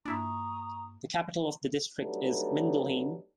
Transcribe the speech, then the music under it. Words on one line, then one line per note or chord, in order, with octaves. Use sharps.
The capital of the district is Mindelheim.
G2 A#3 D4 E4 E5 A#5 C#6 D#6
F#3 G3 A3 B3 D4 D#4